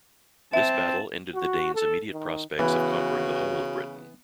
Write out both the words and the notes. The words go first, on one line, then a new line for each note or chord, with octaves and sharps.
This battle ended the Danes immediate prospects of conquering the whole of Britain.
C4 E5 A5
F#4
A4
D#3
C#3 E3 B3 F#4 B5